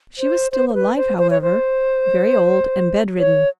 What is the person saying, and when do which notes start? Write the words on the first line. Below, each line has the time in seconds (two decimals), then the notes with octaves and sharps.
She was still alive, however, very old, and bedridden.
0.18 C5
0.52 C5
0.70 C5
0.74 B4
0.96 C5
1.18 C5
1.31 C#5
1.42 C5
3.19 C#5